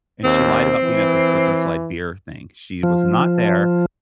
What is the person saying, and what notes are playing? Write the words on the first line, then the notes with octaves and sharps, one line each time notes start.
and she lied about being at the slip and slide beer thing, she was not there.
D#2 C4
E3
F3